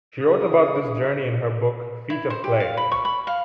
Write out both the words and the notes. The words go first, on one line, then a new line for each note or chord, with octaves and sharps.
She wrote about this journey in her book "Feet of Clay".
C#3 G#4 D#6
E4
C5
G4
F5
B5
C#6
B5
F5